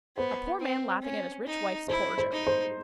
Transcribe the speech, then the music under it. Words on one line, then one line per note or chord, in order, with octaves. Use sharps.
A poor man laughing at his rich wife's poor joke.
B3 C5
C4
C#4
D#4
E4 C5
C5
D#4
C5